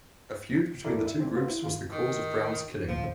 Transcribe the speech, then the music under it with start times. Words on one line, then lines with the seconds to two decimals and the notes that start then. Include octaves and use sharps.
A feud between the two groups was the cause of Brown's killing.
0.84 E2 G2 E4 A4 A#4 D5
1.07 E5
1.20 B2 G3 C4
1.34 A#3 D4 F4 F#4 B4 C5
1.50 E4
1.62 D#3 F4
1.92 D#3
2.88 D1 F3